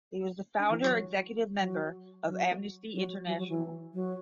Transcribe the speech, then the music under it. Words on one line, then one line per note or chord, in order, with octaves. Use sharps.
He was the founder executive member of Amnesty International.
D4
E3
F#3
F#3
F#3
F#3
F#3
F#3
E3
F#3